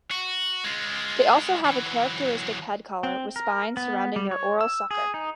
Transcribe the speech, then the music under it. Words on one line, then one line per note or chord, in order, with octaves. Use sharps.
They also have a characteristic head collar with spines surrounding their oral sucker.
F#4
G#3 F4
E3 F#3
C4
A#4
B3
G3
C#5
E6
G#4
D#4